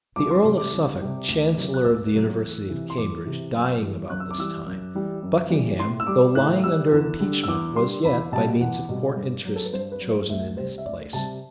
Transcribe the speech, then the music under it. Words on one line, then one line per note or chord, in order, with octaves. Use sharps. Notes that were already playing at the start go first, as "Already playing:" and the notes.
The earl of Suffolk, chancellor of the university of Cambridge, dying about this time, Buckingham, though lying under impeachment was yet, by means of court interest, chosen in his place.
C2 D6
C6
C3 G3 C6
D6
C2
C3 G3
D2
C3 F#3
F#6
D2 E6
C3 F#3
E2
C3 E3
C6
E2 D6
C3 E3
F#2
E3 G3
F#2 F#6
E6
D6
E3 G3 E6
F#2
E3 G3
F#2
E3 G3
A2 C6
E6
G3 D6
A2 F#6
G3 E6
E2
D3 G3
E6
E2 D6
D3 G3 C6
E2 B5
B2 G3 A5
E2 F#5
B2 G3
G2
F#3
A4
B4
G2 C5
B4
F#3
C5
D2 E5
C3 G3 C5
E5
D2 D5
C3 G3 A5